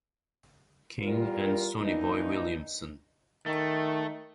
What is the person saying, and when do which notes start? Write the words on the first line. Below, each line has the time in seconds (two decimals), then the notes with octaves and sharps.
King, and Sonny Boy Williamson.
1.01 E2 G3 F4 A#4
1.79 E3 A#3 D4 D#4
3.46 D#3 A3